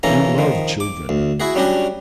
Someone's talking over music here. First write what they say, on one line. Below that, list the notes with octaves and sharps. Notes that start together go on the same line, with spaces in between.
You love children.'
A#1 C#3 E3 C#4 A4 A#5
D#3 F3
D6
D2
E4 F#4 G#4
F#3 G3 C#4 D4 F#4 G4